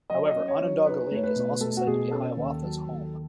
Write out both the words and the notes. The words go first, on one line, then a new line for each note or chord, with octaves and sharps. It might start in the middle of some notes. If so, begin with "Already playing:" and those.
However, Onondaga Lake is also said to be Hiawatha's home.
F#3 D#5
C#5
D#5
C#4
C#5
F#3
D#4 B4
A3 C#5
B4
B2
A3 A4
F#4
B2 G#4
C#4 A4
D#2
F#3
D#2